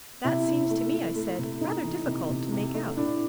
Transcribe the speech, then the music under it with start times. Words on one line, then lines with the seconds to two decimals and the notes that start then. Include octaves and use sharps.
"That seems to me," I said, "rather difficult to make out."
0.24 C3 E4
0.48 C3
0.70 A3
0.93 A3
1.15 A3
1.38 C3
1.61 C3 D#4
1.83 E3
2.06 C3
2.29 C3
2.52 C3
2.74 A3
2.97 A2 D4